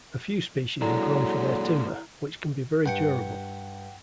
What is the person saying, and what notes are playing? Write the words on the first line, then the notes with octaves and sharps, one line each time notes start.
A few species are grown for their timber, which can be very durable.
A#2 D3 F#3 G#3 E4 A#5
G2 F#5 G5 C#7